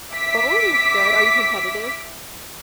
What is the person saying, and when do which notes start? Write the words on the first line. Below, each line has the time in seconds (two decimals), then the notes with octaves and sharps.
bowling's good. Are you competitive?
0.13 E5 D6 B6